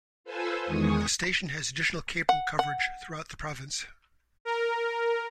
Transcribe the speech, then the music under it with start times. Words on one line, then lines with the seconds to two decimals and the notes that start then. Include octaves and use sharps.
The station has additional cable coverage throughout the province.
0.24 F4 A4 B4 C5 G#5 E6
0.66 E2 D#3 G#3 G#5 C#6 D#6
2.29 F#5
2.59 F#5
4.45 A#4